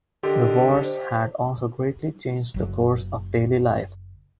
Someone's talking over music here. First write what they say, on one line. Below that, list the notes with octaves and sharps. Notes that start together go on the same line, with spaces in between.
The wars had also greatly changed the course of daily life.
D3 G4 A4 A#4 D#5 C6
C5
F#1 F#3